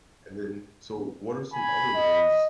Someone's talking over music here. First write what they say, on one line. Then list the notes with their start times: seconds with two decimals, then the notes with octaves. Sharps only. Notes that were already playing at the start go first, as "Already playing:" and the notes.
And, then, so what are some other ways,
1.54 G#5 B5
1.96 D#5